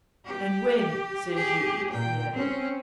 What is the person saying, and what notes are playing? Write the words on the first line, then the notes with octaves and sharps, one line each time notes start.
"And when? says you," he added.
G4
G4 G#4
A#2 G5
C4 C#4